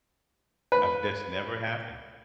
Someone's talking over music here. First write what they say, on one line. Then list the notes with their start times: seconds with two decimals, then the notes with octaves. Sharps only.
I've That's never happened.
0.72 B4